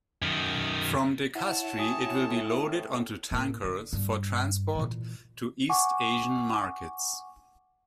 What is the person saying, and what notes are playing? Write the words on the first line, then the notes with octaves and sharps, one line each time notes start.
From De-Kastri it will be loaded onto tankers for transport to East Asian markets.
F#2 D#3
E4 C#5 F#5 A5
F#3 G5 G#5 D#6
A2
A2 A#3
D3
G2
A#2 E3
F#5 G#5 C#6 D6